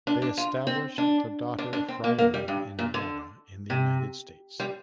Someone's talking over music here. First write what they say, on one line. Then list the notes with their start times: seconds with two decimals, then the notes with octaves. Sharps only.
They established the daughter friary in Nevada in the United States.
0.07 D4
0.22 D4
0.37 F4
0.67 C4
0.98 D4
1.59 D4
1.73 D4
1.88 C4
2.04 A#3
2.19 A#3
2.34 G3
2.48 G2
2.79 A#2
2.94 D3
3.70 C3
4.60 G3